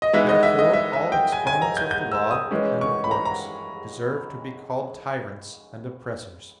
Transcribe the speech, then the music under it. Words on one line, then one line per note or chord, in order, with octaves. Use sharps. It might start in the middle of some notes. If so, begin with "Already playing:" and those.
Therefore all exponents of the Law and of works deserve to be called tyrants and oppressors.
D#5
E3 G#3 B3 D#4 E5
D#5
E5
D#5
E5
E5
G5
G#5
G#5
A#5
G6
G6
E6
D#6
E3 G#3 C#4
C#6
B5
A#5
A#5